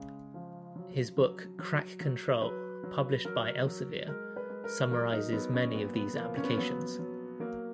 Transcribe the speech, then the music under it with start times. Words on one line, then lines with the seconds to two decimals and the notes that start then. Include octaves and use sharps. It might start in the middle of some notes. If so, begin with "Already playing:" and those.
His book "Crack Control" published by Elsevier summarizes many of these applications.
Already playing: C#3 G#3
0.34 F3
0.76 F#3
1.17 F#3
1.59 F#3
2.01 F#3
2.42 F#3 B4
2.83 F#3
3.25 F#3 A#4
3.66 F#3
4.08 G#3 A#4
4.36 B4
4.49 G#3
4.64 A#4
4.91 F#3 A#4
5.12 D#4
5.32 F#3 B3
5.54 C#4
5.74 A#2 B3
5.95 B3
6.16 F3 A#3
6.36 C#4
6.43 B3
6.51 A#3
6.57 F#3 B3
6.99 F#3
7.40 F#3 A#3